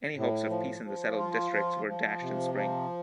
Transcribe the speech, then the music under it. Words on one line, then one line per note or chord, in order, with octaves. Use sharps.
Any hopes of peace in the Settled Districts were dashed in spring.
A2
F3
F3
F4
F3
F3
C3
F3